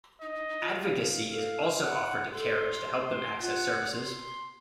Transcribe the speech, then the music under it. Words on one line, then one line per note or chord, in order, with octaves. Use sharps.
Advocacy is also offered to carers to help them access services.
D#4 D#5
D#4
D#4
F4
F5
A4 F5
F#5
A4 C6
C6
F4 F#5
C6